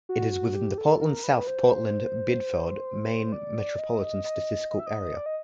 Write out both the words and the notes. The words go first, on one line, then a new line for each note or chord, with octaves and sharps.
It is within the Portland-South Portland-Biddeford, Maine, metropolitan statistical area.
F#4
F#4
G4
A4
A#4
B4
C5
D5
D#5
D#5
D#5
E5
D#5
D5
D#5